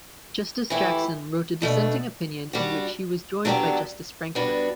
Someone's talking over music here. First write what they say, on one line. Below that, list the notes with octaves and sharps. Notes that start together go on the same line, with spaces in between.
Justice Jackson wrote a dissenting opinion in which he was joined by Justice Frankfurter.
E3 A3 E4 G4
B2 A3 D4
G3 D4 F#4
D3 F#3 B3 D4 G4
G3 B3 D4 F#4